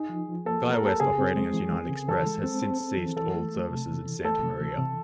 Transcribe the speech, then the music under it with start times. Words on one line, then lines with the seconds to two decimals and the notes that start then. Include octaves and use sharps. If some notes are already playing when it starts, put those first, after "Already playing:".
SkyWest operating as United Express has since ceased all service into Santa Maria.
Already playing: D#4 G#4
0.09 F3
0.29 F3
0.45 A#3 A4
0.64 A#3
0.73 A#4
0.82 G4 A4
1.00 C#3 G#4
1.18 C4
1.37 G#3
1.53 E3
1.72 C4
1.90 C#3
2.08 E3 A4
2.26 G#3
2.44 C4
2.62 C4
2.81 C4
2.97 E3
3.16 E3 A4
3.34 A3
3.51 A3
3.70 C3
3.88 E3
4.06 E3
4.24 A3 A4
4.42 C3
4.60 E3
4.78 C3